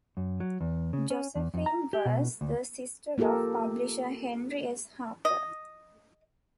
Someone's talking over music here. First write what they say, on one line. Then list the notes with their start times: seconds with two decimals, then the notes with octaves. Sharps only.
Josephine was the sister of publisher Henry S. Harper.
0.17 F#2
0.40 F#3
0.61 E2
0.93 C#3
1.10 C#4
1.36 E2
1.54 F2
1.66 A#5
1.93 G4
2.05 B2
2.41 D2
3.18 A#3 F4 G4 A4 A#4
5.25 D#5